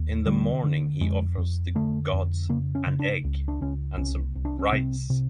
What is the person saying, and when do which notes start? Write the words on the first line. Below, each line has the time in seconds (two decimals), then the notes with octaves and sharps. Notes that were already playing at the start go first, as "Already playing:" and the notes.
In the morning he offers the gods an egg and some rice.
Already playing: D#2
0.27 D3 G3
0.64 D3
1.01 F2 G#3
1.38 F2
1.75 D3 A3
2.13 F2
2.49 C#3 A#3
2.75 C#4
2.87 C#3
3.00 D4
3.24 C#2
3.48 D4
3.61 C#2 C#4
3.97 C2 C#4
4.35 C2
4.45 D4
4.59 C#4
4.72 C3 C4
5.10 C3